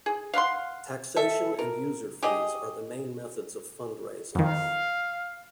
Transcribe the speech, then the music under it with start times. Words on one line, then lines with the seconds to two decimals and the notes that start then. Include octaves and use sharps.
Taxation and user fees are the main methods of fund-raising.
0.06 G#4
0.34 F5 F#5 B5 C6
1.16 A4 E5
1.59 A#4
2.23 G4 G#4 D#5
4.35 F2 D#3 F5